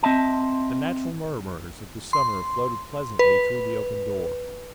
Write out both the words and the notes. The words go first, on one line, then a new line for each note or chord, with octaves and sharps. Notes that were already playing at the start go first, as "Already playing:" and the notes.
The natural murmurs of the summer floated pleasantly through the open door.
C4 D#5 E5 A5
C6
B4